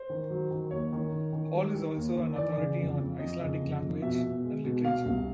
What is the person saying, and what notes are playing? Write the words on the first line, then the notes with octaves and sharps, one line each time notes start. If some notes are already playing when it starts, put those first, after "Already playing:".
Hall is also an authority on Icelandic language and literature.
Already playing: C5
D#3
F#3
D#3
D#2 C#5
D#3
D#3
D#3
G3
D#3
D#2
D#3
E3 D5
C#3
F2
F2
F2 D#5
C#3
F2
F2
B2 E5
B2
G#3
B2
B2 F5
C2